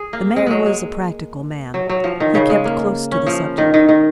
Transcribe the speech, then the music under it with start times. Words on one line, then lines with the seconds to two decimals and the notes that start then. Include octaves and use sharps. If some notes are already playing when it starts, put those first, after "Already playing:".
The mayor was a practical man; he kept close to the subject.
Already playing: G#4
0.13 A#3
0.36 G#3
0.46 F#3 G#3
0.66 G#3
1.74 F#3
1.89 F#3
2.04 F3
2.20 D#3
2.35 C#3
2.50 G#3
2.65 A#3
3.12 C#4
3.26 F3
3.58 D#3
3.74 D#3
3.89 D#3